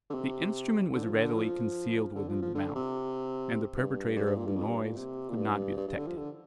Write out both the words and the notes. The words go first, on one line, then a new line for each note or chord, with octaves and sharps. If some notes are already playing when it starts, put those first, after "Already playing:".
The instrument was readily concealed within the mouth, and the perpetrator of the noise could not be detected.
D3
C3
D3
F3
D3
F3
D3
F3
F3
D3
C3
G2
G2
G2
A#2
G2
F2
G2
A#2
C3
A#2
G2
G2
G2
D3
F3
D3